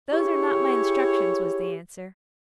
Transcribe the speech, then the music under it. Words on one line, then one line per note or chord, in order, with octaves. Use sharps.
'Those are not my instructions,' was the answer.
E4 G4 G#4 C#5